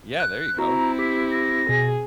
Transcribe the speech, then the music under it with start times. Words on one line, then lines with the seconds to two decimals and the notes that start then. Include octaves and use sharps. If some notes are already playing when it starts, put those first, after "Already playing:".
Yeah, there you go.
0.20 F#6
0.59 C4 E4 F#4 A#5
0.99 G4 B6
1.31 A#6
1.69 B2 G#4